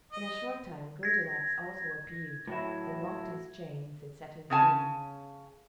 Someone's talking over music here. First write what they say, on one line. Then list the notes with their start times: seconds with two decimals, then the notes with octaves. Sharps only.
In a short time Goldilocks also appeared, unlocked his chains, and set him free.
0.13 D#5
1.03 G#6 A#6
2.47 A2 F#3 E4
4.50 C#3 C#4 G#5 A5